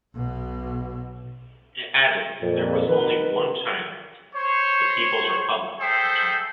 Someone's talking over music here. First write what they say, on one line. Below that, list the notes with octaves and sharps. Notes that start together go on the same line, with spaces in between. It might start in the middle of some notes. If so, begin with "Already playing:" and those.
It added, there was only one China, the People's Republic of China.
B1 B2
F2 A#2
D#3 A#4 B4
C5 C#5
G#4 A4 C5 E5 G5